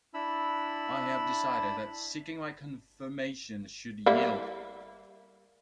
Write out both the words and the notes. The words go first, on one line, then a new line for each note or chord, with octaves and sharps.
I have decided that seeking my confirmation should yield.
D4 E4 B5 E6
G3 A#3 E4